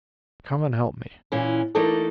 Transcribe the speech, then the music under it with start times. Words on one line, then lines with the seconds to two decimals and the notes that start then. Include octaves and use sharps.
"Come and help me."
1.32 A#2 E3 C#4 E4
1.75 E3 A3 A#3 D#4 A4 D5